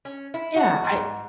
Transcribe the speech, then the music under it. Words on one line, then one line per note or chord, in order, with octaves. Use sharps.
Yeah, I
C#4
E4
F#4
G#2